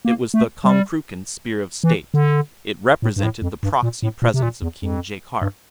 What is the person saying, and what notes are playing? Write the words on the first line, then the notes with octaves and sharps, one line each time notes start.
It was the Konkrookan Spear of State; it represented the proxy-presence of King Jaikark.
A#3
A3
G3
E3
D3
A2
G2
A2
F2
G2
A#2
A2
A#2
C3
A#2
E2
F2
G2